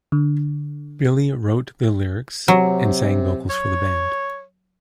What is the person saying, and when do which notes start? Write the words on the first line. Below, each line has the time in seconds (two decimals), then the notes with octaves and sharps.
Billy wrote the lyrics, and sang vocals for the band.
0.12 D3
2.48 C3 F#3
3.50 C#5